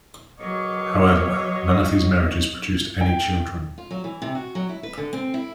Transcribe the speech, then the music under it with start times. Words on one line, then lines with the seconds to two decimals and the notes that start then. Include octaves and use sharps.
However, none of these marriages produced any children.
0.40 C#2 F#3 A#4 C#5 D#5 D6
3.01 G5
3.78 F4
3.91 F#3
4.04 E3
4.22 C3
4.35 F#4
4.55 F#3
4.69 E4
4.83 B4
4.98 D3
5.13 C4
5.34 E4